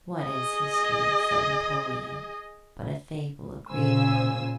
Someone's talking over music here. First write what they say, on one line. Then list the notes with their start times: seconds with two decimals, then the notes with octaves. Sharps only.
"What is history," said Napoleon, "but a fable agreed upon?"
0.23 G#4 D#5
3.70 A#2 C#3 C5 G#5 E6